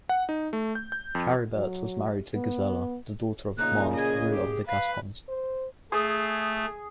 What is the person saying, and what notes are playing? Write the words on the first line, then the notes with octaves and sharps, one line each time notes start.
Charibert was married to Gisela, the daughter of Amand, Ruler of the Gascons.
F#5
D#4
A3
G6
G6
F2
F#3
B3
A#2 C#3 D#4 F#6
G#4 D#5 G#5
G4
B4 F5
C5
A3 G#4 D#6